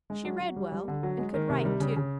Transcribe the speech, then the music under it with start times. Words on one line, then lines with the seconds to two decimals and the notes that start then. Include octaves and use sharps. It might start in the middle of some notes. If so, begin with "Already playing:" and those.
She read well and could write, too.
0.10 G#3
0.25 F#3
0.40 F#3
0.56 G3
0.72 G3
0.88 D3
1.03 F#3
1.19 G#3
1.34 D#3
1.49 C3
1.65 G3
1.80 C#3
1.96 C#3